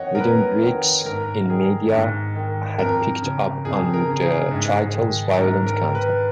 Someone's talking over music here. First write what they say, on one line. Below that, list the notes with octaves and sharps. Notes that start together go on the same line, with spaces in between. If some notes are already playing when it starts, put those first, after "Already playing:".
Within weeks the media had picked up on the title's violent content.
Already playing: F2 D#3 C#5 D#5 F#5
A#4
F2 B4
D#3
G#2 A#4
D#3 G#4
G#2
D#3
F2 A#4
C#3
F2 G#4
A#4
C#3
G#4
G#2
D#3
G#2 A#4
A#4
D#3
B4